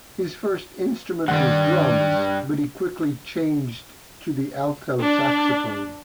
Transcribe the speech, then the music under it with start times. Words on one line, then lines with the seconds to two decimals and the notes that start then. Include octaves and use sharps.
His first instrument was drums, but he quickly changed to the alto saxophone.
1.28 G2 D#3 G3 F#5
5.03 D4